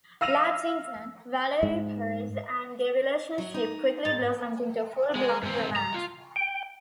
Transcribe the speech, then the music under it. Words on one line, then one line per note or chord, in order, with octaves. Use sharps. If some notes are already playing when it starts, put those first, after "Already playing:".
Labs intern, Valerie Perez, and their relationship quickly blossomed into a full-blown romance.
F5 E6 A#6 D#7 F7
G#2
F#3
D#4
G#2 A6
G#3
G#2 C4
A#5
F4
G5